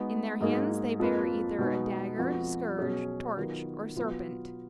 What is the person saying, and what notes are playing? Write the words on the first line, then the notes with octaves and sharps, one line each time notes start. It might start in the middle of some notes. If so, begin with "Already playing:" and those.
In their hands they bear either a dagger, scourge, torch, or serpent.
Already playing: G#3 B3 D#4 F#4
G#2 F#3 A#3 D#4 G#4
F2 F3 A#3 F4 B4
B2 G#3 B3 D#4
F2 F3 B3 F#4
B2 F#3 C#4 G#4
D#3 F#3 B3 F4 A#4
B2 F#3 B3 F4